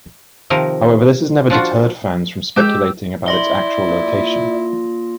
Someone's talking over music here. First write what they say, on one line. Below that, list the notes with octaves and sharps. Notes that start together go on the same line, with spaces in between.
However, this has never deterred fans from speculating about its actual location.
C3 D#3 F3 A#4
F3 D4 F4 F#4
G#3 G4 E6 G6
E4 D5 C6 A#6 G7
A#2